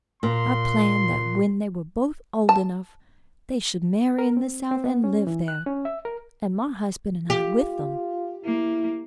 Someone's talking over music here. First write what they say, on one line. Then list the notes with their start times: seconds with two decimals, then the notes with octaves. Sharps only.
I planned that when they were both old enough, they should marry in the South and live there--and my husband and I with them.
0.23 A#2 C6
2.49 A5
4.19 A#4
4.37 C4
4.71 C4
4.84 B3
5.04 C#4
5.27 E3
5.48 F#6
5.66 C#4
5.85 E5
6.05 A#4
7.30 F4 G4
8.44 A#3 E4